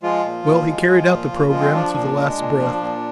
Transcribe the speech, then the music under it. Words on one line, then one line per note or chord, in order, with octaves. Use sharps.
Well, he carried out the programme to the last breath.
F3 G#3 F4
A#2
A#2
G#3
G#3
A#2
A#2
G#3
C4
F3 D4
A#2
G#3
A#2
F3
A#2